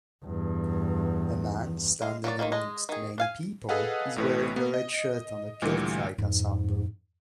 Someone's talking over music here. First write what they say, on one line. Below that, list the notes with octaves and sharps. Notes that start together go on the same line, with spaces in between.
A man, standing amongst many people, is wearing a red shirt and a kiltlike ensemble.
E2 G2
G#3 F5
F#3 A#3 A#4 D5
D#3 F#3 G#3 A#3
G#3 D#5
D#3 G#4
D4 F5 G#5
G#4 A4 B4 D#5 F5 F#5
A1 A2 B4
A#3 B3
D#5
D2 A#2 E3 G3
F2 G#2